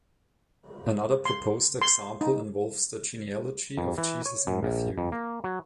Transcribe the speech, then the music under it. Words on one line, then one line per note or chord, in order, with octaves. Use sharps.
Another proposed example involves the genealogy of Jesus in Matthew.
C6
C6
D#4
F2
E3
C#5
F#2
A#1
F2
A#3
F#3